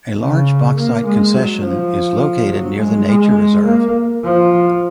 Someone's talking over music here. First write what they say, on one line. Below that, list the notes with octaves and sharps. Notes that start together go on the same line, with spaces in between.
A large bauxite concession is located near the nature reserve.
C#3
A#3
G#3
F#3
F3
F#3
G#3
G#3
A#3
F3